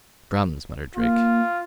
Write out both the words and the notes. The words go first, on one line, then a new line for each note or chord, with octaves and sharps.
"Drums?" muttered Drake.
A#3 F4